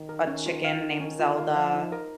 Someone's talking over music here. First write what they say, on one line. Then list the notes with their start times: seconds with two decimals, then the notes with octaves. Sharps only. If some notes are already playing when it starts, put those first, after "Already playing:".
a chicken named Zelda,
Already playing: D#3
0.09 A#4
0.27 C#4
0.46 F4
0.64 F5
0.83 A#4
1.00 C#4
1.20 F4
1.37 F5
1.55 F3 F5
1.74 D#4
1.92 A#4